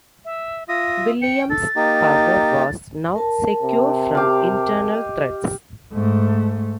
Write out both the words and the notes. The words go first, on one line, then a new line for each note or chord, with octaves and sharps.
William's power was now secure from internal threats.
E5
F4 E5 D#6 A#6
G5 C#7
A4 A6
A#3 D#4 G4
A#4 A5
C3
G4 F5
D#5
G#2 A3